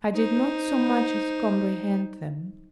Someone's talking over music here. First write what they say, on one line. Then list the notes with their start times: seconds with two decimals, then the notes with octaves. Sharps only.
I did not so much as comprehend them.
0.15 D#4 C5